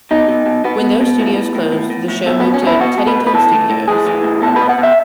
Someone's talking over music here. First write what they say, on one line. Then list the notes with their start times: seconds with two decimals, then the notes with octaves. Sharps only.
When those studios closed the show moved to Teddington Studios.
0.11 B2 D#4
0.28 B2
0.46 B2
0.64 B2 B3
0.82 B2
1.01 B2
1.19 A2
1.36 A2
1.55 A2
1.72 A2
1.90 A2
2.08 A2
2.26 B2 A3
2.40 B2 B3
2.54 C#4
2.62 B2 E4
2.80 B2 F#4
2.98 B2
3.07 B4
3.16 B2
3.27 B4
3.34 E3 A4
3.53 A2
3.70 A2
3.88 A2 G#4
4.06 E3
4.24 A2
4.42 B2 A4
4.56 B2 B4
4.69 F#5
4.78 B2 E5